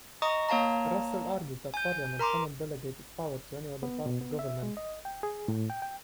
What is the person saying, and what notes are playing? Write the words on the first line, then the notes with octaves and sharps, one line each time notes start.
Russell argued that Parliament cannot delegate its powers to any other part of government.
D#5 A#5 C#6 D#6
A#3 C#5 F5 A5 A#5
G#5 G6
A#4 A#5 C6 D6
B3
B2
B3
E5
G#3
D#5
G5
G#4
A2
G5
G5